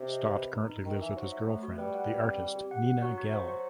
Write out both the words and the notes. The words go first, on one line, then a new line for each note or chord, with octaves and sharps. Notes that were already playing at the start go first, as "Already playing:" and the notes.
Stott currently lives with his girlfriend, the artist Nina Gehl.
Already playing: C3
D#5
B4
B4
D#4
D#4
D#3 D#4
E3 D#4
F#3 C5
E5
A3
F#4
G3 B4
F#5
B4
C4
G4
G4
F#5
F#5
F#3 F#4
F#4
C5
C5